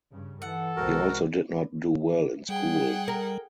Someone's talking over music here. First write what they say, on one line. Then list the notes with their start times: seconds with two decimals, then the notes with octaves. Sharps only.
He also did not do well in school.
0.12 G2 C#3
0.42 E3 A4 F#5
0.76 C2 G#3 C4 F#4 A#4
2.49 G3 G#4 F#5 G5
3.08 A#4